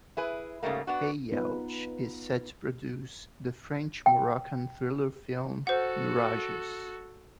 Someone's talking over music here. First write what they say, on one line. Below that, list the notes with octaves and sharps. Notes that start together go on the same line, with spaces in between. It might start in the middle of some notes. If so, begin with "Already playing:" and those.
Ayouch is set to produce the French-Moroccan thriller film Mirages.
E4 G#4 B4
G#2 C#3 G3 A3 A#3
B3 D4 F#4
B3 D#4 F4 B4
G5
F#4 A4 C5 F#5